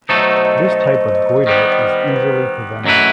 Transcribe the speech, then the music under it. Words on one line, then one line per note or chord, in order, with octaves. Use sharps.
This type of goiter is easily preventable.
B2 F#3 A3 D#4 A4 C5
D#5
C5
D#5
C5
D#5
C5
D#5
C5
D#5
C5
D#5
C5
D#5
C5
D#5
C5
D#5
C5
D#5
D#3 G3 B3 C5
D#5
C5
D#5
C5
B4
C5
F#2 F#3 A3 E4 B4 D#5